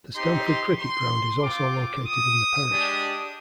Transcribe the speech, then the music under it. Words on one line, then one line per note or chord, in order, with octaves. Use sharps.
The Stanford Cricket Ground is also located in the parish.
C4 D#4 G4 C6
C6
C6
C4 F4 D6
D#6
G#3 D4 G4